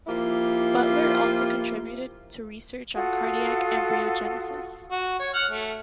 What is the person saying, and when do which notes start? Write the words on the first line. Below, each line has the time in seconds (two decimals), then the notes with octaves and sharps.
Butler also contributed to research on cardiac embryogenesis.
0.07 F3 A#3 E4 F4 G4
2.95 F4 F#4 A4 D#6
4.92 F#4
5.20 C#5
5.34 F#5 F6
5.51 A3